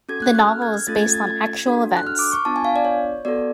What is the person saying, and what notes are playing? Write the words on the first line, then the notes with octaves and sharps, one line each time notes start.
The novel is based on actual events.
C#4 F#4 A4 G#6
F#6
F#6
F6
G#6
A3 C#4 F4 A4 A6
G#6
A6
G#6
D4 F#4 A4
F#6
F6
D6
C#6
B3 D4 F4 A5
G#5
F5
D5
C#5
B3 F#4 A4 D5